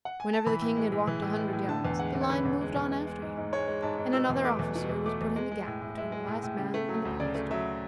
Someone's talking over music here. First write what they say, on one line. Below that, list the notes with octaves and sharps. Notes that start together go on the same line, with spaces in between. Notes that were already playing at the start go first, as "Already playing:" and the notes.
Whenever the King had walked a hundred yards the line moved on after him, and another officer was put in the gap between the last man and the palace door.
F#5
G#5
A5
E3 B5
A2
G#3
A2
E3
A2
G#3
A2
D3 A5
E2
G#3 F#5
E2
C#5
D3 B4
E2
G#3
E2
G#3
G#3
G#2
G#2
G#3 C#5
G#3
G#2 A5
G#2
B2 E6
E2
A3 D6
E2
B2
E2
A3 D6
E2
G#3
G#3
A2
A2
G#3 E5
G#3
A2
A2
C#3
A3
F#3
D2
C#3 D5
A3
F#3 E5